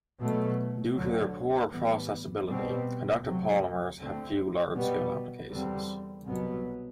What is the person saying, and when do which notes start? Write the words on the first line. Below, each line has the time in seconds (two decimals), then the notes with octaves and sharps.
Due to their poor processability, conductive polymers have few large-scale applications.
0.20 B2 F#3 A3
0.95 D2 D3 F#3
1.71 A2 E3 G3 B3
2.48 B2 G3 C4
3.22 D2 C3 F#3
3.98 D2 D3 A3 C4
4.74 B2 G3 B3
5.50 E2 D3 G3 C4
6.26 C2 B2 F#3 B3